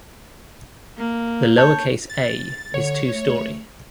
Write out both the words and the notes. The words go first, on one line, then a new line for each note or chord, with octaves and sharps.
The lowercase a is two-storey.
A#3
C#5 A5 G6
A6
D3 C#5
A3